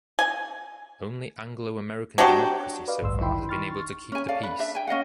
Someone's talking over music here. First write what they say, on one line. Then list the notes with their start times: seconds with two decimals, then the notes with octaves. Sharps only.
Only Anglo-American democracy, so far, has been able to keep the peace.
0.19 G#5
2.18 F#3 D4 F#4 G4
2.88 B4 D5 D#5 F5
3.01 A1 D2 G2 C6 E6
3.21 D#3 D#4 E4 G5 B5 C6
3.49 C6 C#6 F6 A6
4.12 C#4 G#5
4.28 A4 D5 F5
4.43 B4
4.59 D4 E5
4.75 G5 G#5
4.87 C#4 D#5 F5 F#5